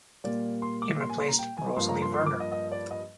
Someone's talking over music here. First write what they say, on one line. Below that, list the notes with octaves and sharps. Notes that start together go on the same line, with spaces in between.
He replaced Rosalie Verner.
A#2 G3 A#3 D5
C6
D6
C6
G#5
C6
A#5
G5
G#5
G2 F3 A#3 C6
A#5
C6
C6
D6
D#5
D#5
D5
D#5